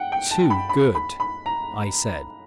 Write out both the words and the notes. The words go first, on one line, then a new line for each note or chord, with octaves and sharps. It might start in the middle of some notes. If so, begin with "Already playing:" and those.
"Too good," I said.
Already playing: F#5 G5
G5
A5
B5
B5
B5
B5
A#5